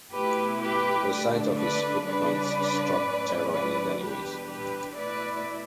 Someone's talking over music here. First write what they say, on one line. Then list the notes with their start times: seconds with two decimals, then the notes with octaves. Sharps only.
The sight of his footprints struck terror in his enemies.
0.11 B2 A3 E4 G4 B4
0.60 G4 B4
1.09 D3 A3 D4
1.57 B4 D5
2.06 C#3 G3 D4 B4 D5
3.03 A2 F#3 C#4 E4
3.52 B4 D5
4.00 E2 B2 G3 D4 G4 B4
4.49 G4 B4
4.98 B2 A3 E4 B4 D5